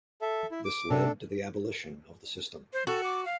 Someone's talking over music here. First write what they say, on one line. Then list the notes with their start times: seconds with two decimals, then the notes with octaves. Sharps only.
This led to the abolition of the system.
0.22 A4 E5
0.51 E4
0.65 D6
0.90 C3 D4 A4
2.73 C5
2.87 F#4 A4
3.04 D6
3.25 F5